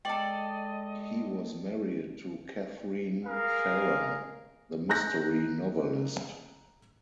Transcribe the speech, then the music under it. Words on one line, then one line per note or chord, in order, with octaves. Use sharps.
He was married to Katharine Farrer, the mystery novelist.
G#3 A4 D5 D#5 G5 F#7
G#4 A#4 F5
A#5 F#6 G6 A#6